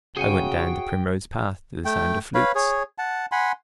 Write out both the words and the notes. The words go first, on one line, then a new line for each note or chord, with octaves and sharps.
I went down the primrose path to the sound of flutes.
C#3 F#4 G#4 C#5 G5 G#5
A3 G5
B4 C#5 F5 B5
G#4 C#5
F#5 A5
F#5 G#5 B5 C6